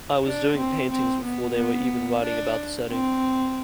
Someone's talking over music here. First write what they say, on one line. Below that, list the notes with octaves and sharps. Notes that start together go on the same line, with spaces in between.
I was doing paintings before they were even writing about the setting.
D4
C4
C4
B3
B3
D4
C4